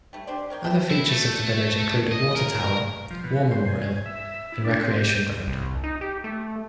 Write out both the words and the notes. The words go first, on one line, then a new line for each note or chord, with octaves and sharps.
Other features of the village include a water tower, war memorial and recreation ground.
G3 A3
D4 G4 C5 D5
A#4 C#5 D5 G5
B4 E5 G5 A5
E4
A3
D#5
A#4
F3
B2
C5
G#5
E5
E4
D4
C4
G4
C2
D#4
G4
A3